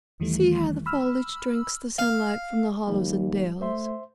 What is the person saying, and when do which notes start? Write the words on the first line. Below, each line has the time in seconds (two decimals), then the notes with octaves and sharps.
"See how the foliage drinks the sunlight from the hollows and dells."
0.20 E2 D#3 E3 G3 A3
0.86 B5 E6 F6
1.98 F5
2.87 D#2 A2 F3 G3
3.61 A3 C5 E5 C6